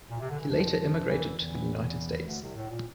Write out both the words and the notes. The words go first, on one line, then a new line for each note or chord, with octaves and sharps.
He later immigrated to the United States.
A#2
C3
D3
E3
F2 F3
E2 E3
E2 E3
D2 D3
C2 C3
A2
A#2